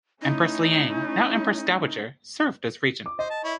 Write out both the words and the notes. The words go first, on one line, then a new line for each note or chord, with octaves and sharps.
Empress Liang, now empress dowager, served as regent.
A3 C#4 D#4 E4
D6
C5 D#5
A5
E4 C#5